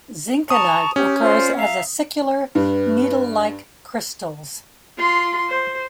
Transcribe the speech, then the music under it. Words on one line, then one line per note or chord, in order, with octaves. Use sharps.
Zinkenite occurs as acicular needle-like crystals.
A5 A#5 C#6 D#6
C#4 G4
F4 C5 D5
E5 F5 A#5
G2 B4
F4 C6
C5